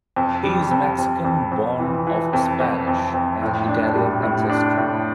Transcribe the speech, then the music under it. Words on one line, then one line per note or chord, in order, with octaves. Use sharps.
He is Mexican born of Spanish and Italian ancestry.
F2
G3
F2
F2
F2
F2
E3
E3
F2
F2
F2
F2
A2
D4
G3
A2
D4
A2